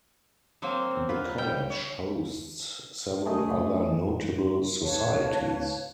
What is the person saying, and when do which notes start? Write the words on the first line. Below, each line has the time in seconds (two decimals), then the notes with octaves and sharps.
The college hosts several other notable societies.
0.62 F#3 A#3 C4
0.91 C4
1.09 F#3 A#3 F4 B4
1.38 G3 G5
1.70 C#5
3.26 A3 G#4 D#5
4.83 B4 C#5 F5 A5